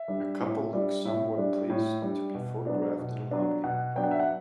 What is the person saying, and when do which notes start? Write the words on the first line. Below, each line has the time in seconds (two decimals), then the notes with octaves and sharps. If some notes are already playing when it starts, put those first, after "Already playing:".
A couple looks somewhat pleased to be photographed in a lobby.
Already playing: E5
0.08 G3 D4
0.41 A2
0.73 G3 D4
1.05 A2 E5
1.37 G3 D4
1.70 A2
2.02 G3 D4
2.34 B2
2.67 F#3 B3 D4
2.99 B2
3.31 F#3 B3 D4
3.64 B2 F#5
3.96 F#3 B3 D4 G5
4.04 F#5
4.11 E5
4.20 F#5